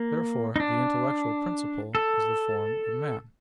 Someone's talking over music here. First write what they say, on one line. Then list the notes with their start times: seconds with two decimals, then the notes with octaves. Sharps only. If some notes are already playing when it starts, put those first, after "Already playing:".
Therefore the intellectual principle is the form of man.
Already playing: A#3
0.56 D#4
0.60 D4
1.95 A4